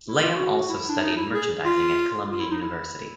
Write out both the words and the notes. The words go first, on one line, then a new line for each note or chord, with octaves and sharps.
Lamb also studied merchandising at Columbia University.
E4
F4
F#4
E4
D4
D#4
E4
G#4
F4
F4
E4
D#4
E4